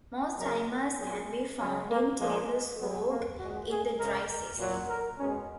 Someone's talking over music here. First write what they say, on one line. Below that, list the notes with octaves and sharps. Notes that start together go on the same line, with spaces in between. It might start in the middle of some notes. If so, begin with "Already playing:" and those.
Most animals can be found in Taylor Slough in the dry season.
C#3 F#3 A#4
A#2 F#3 G#4
C#3 F#3 C#4
A#3
A#2 F3 G#3 A#3
B2 F#3 B3
A#3
A#2 G#3 F#4
G#4
C#3 G#3 A#4
A#2 F#3
A#4
B2 G#3 C#4